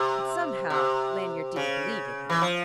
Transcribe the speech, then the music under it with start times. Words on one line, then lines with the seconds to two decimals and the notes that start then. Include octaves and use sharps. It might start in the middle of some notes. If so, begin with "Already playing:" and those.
But somehow Lanyard didn't believe it had.
Already playing: C3
0.70 C3
1.56 C#3
2.30 E3
2.42 F3